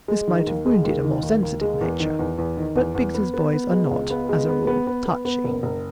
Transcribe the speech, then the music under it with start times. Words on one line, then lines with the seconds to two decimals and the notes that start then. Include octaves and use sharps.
This might have wounded a more sensitive nature, but Biggs's boys are not, as a rule, touchy.
0.08 G#3
0.27 D#3
0.47 D#2
0.66 G#3
0.85 D#2
1.04 D#3
1.23 D#2
1.43 D#2
1.61 G#3
1.81 E2
2.00 D#3
2.19 E2
2.38 E2
2.57 D#3
2.76 E2
2.95 E2
3.14 B3
3.34 B3
3.53 B3
3.72 G#3
3.91 C#2
4.10 B3
4.29 G#3
4.49 B3
4.67 B3
4.87 B3
5.06 B3
5.25 B3
5.44 F#1
5.63 F#1